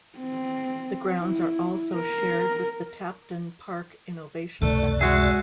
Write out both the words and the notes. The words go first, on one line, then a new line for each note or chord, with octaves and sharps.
The grounds are also shared with the Tapton Park Innovation Centre.
C4
E4
A#4
C#2 F#2 C3 A3 D5
G#3 F#4 G#4 E5